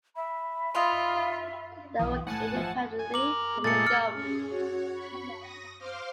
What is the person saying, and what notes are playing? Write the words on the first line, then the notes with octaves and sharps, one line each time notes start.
They work independently from the government.
E5 B5
D#4 F4 E5 F5 C6
B1 E3 D#6
A2 F#5 G#5 A5
F3 E5
G#5
A#4 D6 F#7
A#2 G#3 A3 A6 C#7
E6 F6 C#7
C#4 G#4
F#4 C#5
B5 C#6
D#6 A#6
C5 F5 C6 D6 F6